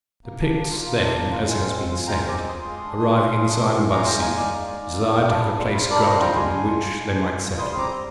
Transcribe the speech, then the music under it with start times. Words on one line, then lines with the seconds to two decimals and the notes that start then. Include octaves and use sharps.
The Picts then, as has been said, arriving in this island by sea, desired to have a place granted them in which they might settle.
0.24 A#3
0.40 D4
0.55 A#3
0.70 F4
0.85 A#3
1.01 D4
1.16 A#3
1.31 F4
1.47 G#3
1.62 C4
1.77 G#3
1.92 F4
2.07 G#3 G5 A#5
2.23 C4
2.29 A#5 D6
2.39 G#3
2.49 F4 C6 D#6
2.68 G#3
2.84 D4
2.99 G#3
3.15 F4
3.30 G#3
3.45 D4
3.61 G#3
3.76 F4
3.91 G#3 A#5 D6
4.07 D#4 G5 A#5
4.21 D#4 F5 G#5
4.31 D#5
4.36 G#3 D5 F5
4.52 G#3
4.68 D#4
4.83 D#4
4.99 G#3
5.14 G3
5.28 D4
5.43 G3
5.59 F4
5.74 G3
5.90 D4 A#4 D5
6.05 G3 C5 D#5
6.21 F4 G5 A#5
6.36 G#3 G#5 C6
6.51 D4
6.67 G#3
6.82 F4
6.97 G#3
7.12 D4
7.28 G#3
7.43 F4
7.58 G3 C6 D#6
7.74 C4 A#5 D6
7.89 G3